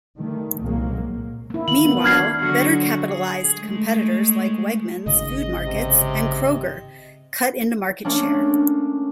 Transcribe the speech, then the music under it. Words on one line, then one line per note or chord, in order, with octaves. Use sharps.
Meanwhile, better-capitalized competitors like Wegmans Food Markets and Kroger cut into market share.
D#3 G3 A3
C2 A#2 F#3 G#3 A#3
A#3 E4
D#3 F#7
B3
D4 F#4 F6 G#6 C7
D3 F#3 F#4
G#4
G#3 A3
G#1 C#3 D#5
C3
A3 A#3 C#4 D4